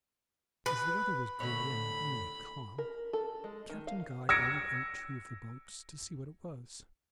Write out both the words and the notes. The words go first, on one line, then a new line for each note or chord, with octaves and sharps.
As the weather was good and nearly calm, Captain Guy ordered out two of the boats to see what it was.
B4
A2 D3 C#5 B5
A#4
A4
G#3
D#3
F5
E6 G#6 A#6 C#7 D7